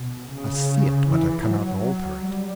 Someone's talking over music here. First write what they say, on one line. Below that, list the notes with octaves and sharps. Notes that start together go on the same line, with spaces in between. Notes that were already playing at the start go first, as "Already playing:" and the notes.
I see it, but I cannot alter it.
Already playing: B2
C#3
E3
F#3
G3